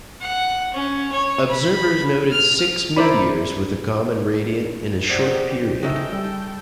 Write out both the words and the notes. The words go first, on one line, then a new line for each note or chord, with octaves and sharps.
Observers noted six meteors with a common radiant in a short period.
F#5
C#4
C#5
B5
F6
E4 A#4 C5 D5 B5
B2 D#4 G4 C5 D5
C#3 G#3 C#4 D#4 A4 E5 G5
G3 E6